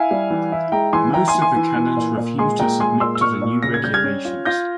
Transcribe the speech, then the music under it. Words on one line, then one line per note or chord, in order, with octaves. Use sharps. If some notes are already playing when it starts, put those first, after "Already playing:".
Most of the canons refused to submit to the new regulations.
Already playing: E4 F5 G#5
G3
E3
E4
G#3 G5 A#5
E3 G#5 C6
E4 G5 A#5
G#5 C6
E3
G#5 C6
E3
E3
A#2
A#2
G#3 G#5 C6
A#2 G5 A#5
G#3 G#5 C6
A#2 C6 E6
E6
A#2 C#6 F6
A#2
C#3 A#6
G#6
G3 G6
F6 G#6
C#4
F4
F4 G6 A#6